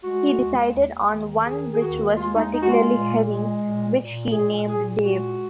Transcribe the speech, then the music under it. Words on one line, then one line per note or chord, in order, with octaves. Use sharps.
He decided on one which was particularly heavy, which he named Dave.
G#3 F#4
D#2
D#2
D#3
D#3 G#4
G#4
D#2 F#4
G#3 F4
D#4
G#3 D#4
F#4
F4
A#2
G#3
A#2
A#2
A#2 G#4
A#2 G#4
G#3 F#4